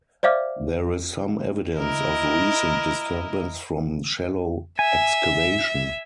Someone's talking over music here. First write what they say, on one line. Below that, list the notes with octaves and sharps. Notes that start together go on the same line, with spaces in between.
There is some evidence of recent disturbance from shallow excavation.
C5 D5 E5 F5 D6 F6
E4 A#4 D#5
E5 G#5